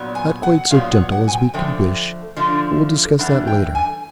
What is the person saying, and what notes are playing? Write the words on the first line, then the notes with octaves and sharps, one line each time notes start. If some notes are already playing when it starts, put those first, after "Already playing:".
Not quite so gentle as we could wish, but we'll discuss that later.
Already playing: A#2 F#3 B3
G#5
F#5
A#2 F#3 B3 F5
F#5
F#5
G#5
G5
D3 F3 A3 G5
D3 F3 A3
G2 E3 A3 D4 F#5
G5
G#5